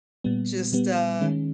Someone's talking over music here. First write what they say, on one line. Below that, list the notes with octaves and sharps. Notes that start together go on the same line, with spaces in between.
just, uh
A#2 G3 B3
A#2 G3 B3
D#3 G#3 C#4